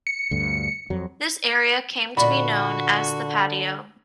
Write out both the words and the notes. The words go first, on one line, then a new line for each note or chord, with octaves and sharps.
This area came to be known as "The Patio".
C#7
D2 G2 D3
F2 F#3
A#2 D3 F#4 D5 D#5 B5